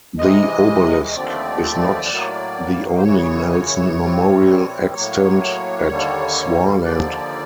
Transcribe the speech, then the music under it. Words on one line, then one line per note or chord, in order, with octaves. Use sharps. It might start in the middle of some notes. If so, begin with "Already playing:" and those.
The obelisk is not the only Nelson memorial extant at Swarland.
C3 E3 G#3 D#5
D#5
D#2 D3 F3 A3 C4 D5
A2 F#3 A#3
C5
F#2 C#3 E3 C#5
C#5
A2 E3 G3 C4
A2 F#3 A#3 C#5
D#2 D3 G3 A#3
D#2 D3 F3 A#3 D5